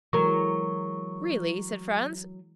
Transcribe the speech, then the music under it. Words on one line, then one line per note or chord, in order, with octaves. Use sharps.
"Really?" said Franz.
E3 F#3 G#3 A#4 C#6